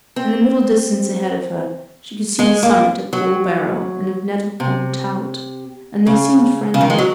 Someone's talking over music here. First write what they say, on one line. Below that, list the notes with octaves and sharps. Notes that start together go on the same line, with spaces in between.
In the middle distance ahead of her she could see the summits of Bulbarrow and of Nettlecombe Tout, and they seemed friendly.
C4
G#3
A#3
F#3
C3
C#3
C#3
D#3
G#3
F#3